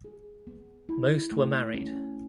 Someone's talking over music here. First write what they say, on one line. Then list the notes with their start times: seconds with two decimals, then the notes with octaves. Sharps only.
Most were married.
0.04 G#4
0.47 B3
0.89 E4
1.32 A3
1.74 C#4